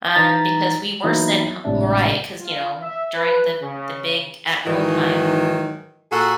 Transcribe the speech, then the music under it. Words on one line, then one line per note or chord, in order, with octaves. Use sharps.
um, because we were sent h mo right, 'cause, you know, during the the big at home time,
E3 D#4 A#5 A6 B6
E3 F#3 A#3 B3 D#4 E4
G#1 A2 C3 G#3 D4 E5
F4
E5
B4
C#3
G#2 D#3 E3 F#3
A#2 F#4 G#4 A4